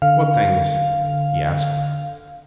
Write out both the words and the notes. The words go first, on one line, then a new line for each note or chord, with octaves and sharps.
"What things?" he asked.
D3 F5